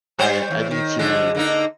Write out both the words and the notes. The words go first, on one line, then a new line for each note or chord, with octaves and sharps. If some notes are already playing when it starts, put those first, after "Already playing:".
I I need to
G3 C5 C#5
E2
D#3
F2 D3 G#3
D3 A#3 D#4